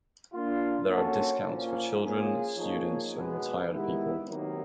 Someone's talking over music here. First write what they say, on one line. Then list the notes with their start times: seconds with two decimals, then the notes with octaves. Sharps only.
There are discounts for children, students and retired people.
0.33 A#3 D4 F4
0.90 A#3 C#4 F#4 A4
1.45 A#2 F3 A#3 C#4
2.02 A#3 C#4 F4 G#4
2.57 F3 A#3 D#4 G#4 C#5
3.14 B2 G#3 B3
3.70 D#3 G#3 B3 E4 G4
4.26 C3 D#3 F#3 A#3 D#4